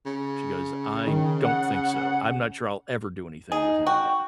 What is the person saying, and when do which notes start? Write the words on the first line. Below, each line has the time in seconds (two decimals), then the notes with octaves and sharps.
she goes, "I don't think so, I'm not sure I'll ever do anything with him again."
0.05 C#3
1.07 D#3
1.45 F#5
3.52 D#4 G#4
3.87 F#4 G5